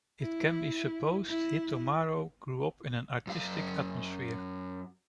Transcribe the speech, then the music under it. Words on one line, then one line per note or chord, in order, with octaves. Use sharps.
It can be supposed Hitomaro grew up in an artistic atmosphere.
E4
E4
F#2 F5